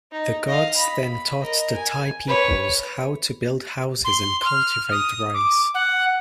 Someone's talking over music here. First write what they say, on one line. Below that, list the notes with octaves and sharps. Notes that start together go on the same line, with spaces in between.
The gods then taught the Tai peoples how to build houses and cultivate rice.
D#4
D#5 F5
B5
A#4 D#5
G#5
B4 C#5
C6
F6
D#6
D6
F#5